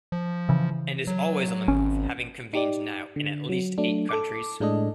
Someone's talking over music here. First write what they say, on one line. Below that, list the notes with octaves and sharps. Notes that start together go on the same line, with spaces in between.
And is always on the move, having convened now in at least eight countries.
F3
C#3 E3
F#3
G#1 C#4
D#4 G4 D5
D3
F#3
F#3 A3 D4
A4 D6
A2 G#3 D4 A4 D#5